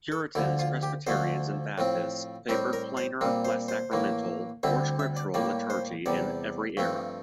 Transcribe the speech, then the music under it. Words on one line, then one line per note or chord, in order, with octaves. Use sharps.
Puritans, Presbyterians and Baptists favoured plainer, less sacramental, more scriptural liturgy in every era.
A4
D2 D3 F3 E4
F4
G4
D2 D3 F3 A3 C5
A2 F3 C4
A2 G3 C4 A#4
A#4
C5
A#2 G3 C4
C5
C5
A2 E3 A#3
D2 D3 G3 C4 E5
E5
D5
A2 G3 A#3 D5
C5
E2 C3 G3 D5
G2 F3 A3 C4